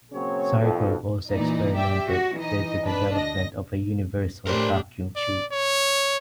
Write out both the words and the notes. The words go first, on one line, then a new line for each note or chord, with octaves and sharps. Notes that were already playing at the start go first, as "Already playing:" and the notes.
Sargrove also experimented with the development of a 'universal' vacuum tube.
C#3 F#3 A#3 C4 G#4 C#5
B1 F2
A#2 E3 D#4 D5
G4 D5 E5 G5
F#4
E3 D#4 D#5
D4 B4
D2 D#5 A#6
A2 D4 G4 A#4 C5
D5
C#5